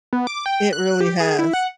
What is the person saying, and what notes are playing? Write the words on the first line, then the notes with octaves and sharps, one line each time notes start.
It really has.
B3
D6
G5
F#6
G4
G#4
E4
F#5